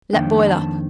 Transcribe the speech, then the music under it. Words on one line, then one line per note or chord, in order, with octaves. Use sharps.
Let boil up.
F2 D#3 A#3 D4 G5
A5